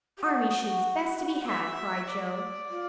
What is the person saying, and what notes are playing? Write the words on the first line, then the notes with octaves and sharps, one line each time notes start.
"Army shoes, best to be had," cried Jo.
G4
F#4
E5
D5
F4